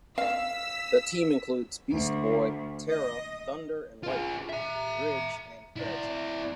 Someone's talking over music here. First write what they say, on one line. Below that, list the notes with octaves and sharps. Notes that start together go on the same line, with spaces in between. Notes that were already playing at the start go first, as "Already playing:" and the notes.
The team includes Beast Boy, Terra, Thunder and Lightning, Ridge and Fairchild.
F5 E6 B6
D2
D#5
F4 G#4
E5 A#5
E4 D5